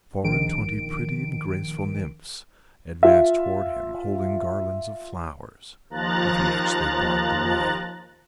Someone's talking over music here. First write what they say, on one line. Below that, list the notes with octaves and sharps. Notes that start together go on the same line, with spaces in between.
Four-and-twenty pretty and graceful nymphs advanced toward him, holding garlands of flowers, with which they barred the way.
A#1 D#3 D7
F4 E5
D#2 F3 A#5 F#6 A6